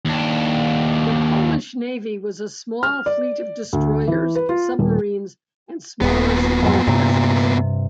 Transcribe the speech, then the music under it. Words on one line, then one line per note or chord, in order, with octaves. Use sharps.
The Polish Navy was a small fleet of destroyers, submarines and smaller support vessels.
D#2 D4
F6
D5
D2
E3
B4
F4
D#1
D#1 A#2 B3
F2 G#2 F#3
G2 C3